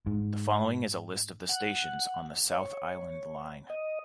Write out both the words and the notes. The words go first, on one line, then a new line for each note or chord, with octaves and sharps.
The following is a list of the stations on the South Island Line.
G#2
F#5
C#5
D#5